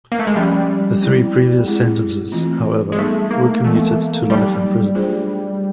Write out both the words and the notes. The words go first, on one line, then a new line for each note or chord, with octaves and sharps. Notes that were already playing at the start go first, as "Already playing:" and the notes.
The three previous sentences, however, were commuted to life in prison.
A#3
A3
G#3
F3 G3 A3 C#4
G#3 C4 E4 G4
G#3 C4 E4 G#4
E3 A3 C4 F4
G#3
G3 A3 B3 D#4 G#4
A#3
E3 G#3 A3 B3
F#3 G3 A#3 D#4 G4
A3 D4 F4 G#4 C5